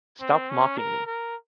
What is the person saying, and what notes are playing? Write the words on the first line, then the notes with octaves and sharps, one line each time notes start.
Stop mocking me.
C4
C#4
A#4
A#4